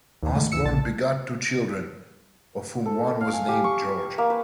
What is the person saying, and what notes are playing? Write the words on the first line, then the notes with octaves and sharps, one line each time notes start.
Osborne begot two children, of whom one was named George.
D#2
G#2 D#3 A3
D2 E3 E6 C#7
A#1 A5
A4
F5
G#5
G4
C#6
B4
A#3
B4